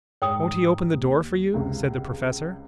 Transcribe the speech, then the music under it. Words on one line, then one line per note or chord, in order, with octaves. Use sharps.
"Won't he open the door for you?" said the Professor.
G#2 C#5 G5 D#6
D#2
C#2 C3